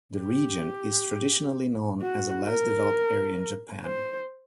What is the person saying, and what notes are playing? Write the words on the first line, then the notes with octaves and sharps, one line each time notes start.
The region is traditionally known as a less developed area of Japan.
G4
F#4
A#4
C5